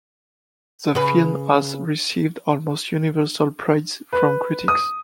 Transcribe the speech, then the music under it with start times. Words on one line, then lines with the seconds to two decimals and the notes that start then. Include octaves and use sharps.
The film has received almost universal praise from critics.
0.95 C#3 B4
4.13 B4
4.68 D#6